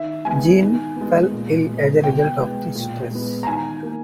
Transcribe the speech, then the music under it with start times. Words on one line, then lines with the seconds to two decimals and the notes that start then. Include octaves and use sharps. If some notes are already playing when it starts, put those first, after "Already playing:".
Jean "fell ill" as a result of this stress.
Already playing: D#3 E5
0.25 G#3 B3 G#5
0.61 D#3
0.97 G#3 B3
1.32 A#2
1.68 G#3 B3
2.03 B2 G5
2.40 G#3 B3
2.75 A#2
3.11 G#3 B3
3.43 A#5
3.47 D#3 G#5
3.83 A#3